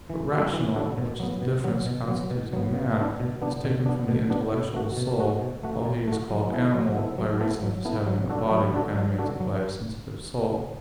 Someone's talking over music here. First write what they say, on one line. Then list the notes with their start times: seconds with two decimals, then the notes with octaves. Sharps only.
But "rational," which is the difference constituting man, is taken from the intellectual soul; while he is called "animal" by reason of his having a body animated by a sensitive soul.
0.10 E3
0.31 D4 F#4 A4
0.53 E3
0.76 D4 F#4 A4
0.98 B2
1.20 F#3 B3
1.42 B2
1.64 F#3 B3
1.86 B2
2.08 F#3 B3
2.30 B2
2.53 F#3 B3
2.75 B2
2.97 B3 D4
3.20 B2
3.42 B3 D4
3.64 B2
3.86 B3 D4
4.08 B2
4.30 B3 D4
4.52 B2
4.74 A3 F#4
4.97 B2
5.19 A3 F#4
5.42 B2
5.63 A3 F#4
5.85 B2
6.08 A3 F#4
6.30 F#3
6.52 B3 E4 A4
6.74 F#3
6.97 B3 E4 A4
7.18 F#3
7.40 B3 E4 A4
7.63 F#3
7.85 B3 E4 A4
8.07 F#3
8.30 D4 F#4 A4
8.51 F#3
8.74 D4 F#4 A4
8.96 F#3
9.18 D4 F#4 A4
9.40 F#3